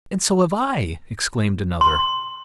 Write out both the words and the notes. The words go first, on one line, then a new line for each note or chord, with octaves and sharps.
"And so have I," exclaimed another.
C6